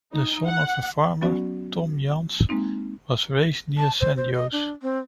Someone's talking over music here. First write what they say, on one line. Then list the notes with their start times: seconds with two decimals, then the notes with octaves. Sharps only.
The son of a farmer, Tom Jans was raised near San Jose.
0.12 D#4
0.46 F#5
1.21 F#3 B3 C#4 F#4 D5
2.49 G#3 A#3 C4 D#4
3.77 A5
4.00 C5
4.17 C5
4.34 D#5
4.52 D4
4.83 C4